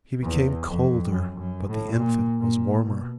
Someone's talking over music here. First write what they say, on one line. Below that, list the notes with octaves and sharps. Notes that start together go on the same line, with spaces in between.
He became colder, but the infant was warmer.
E2
F2
F#2
F#2
A2
A#2
A#2
B2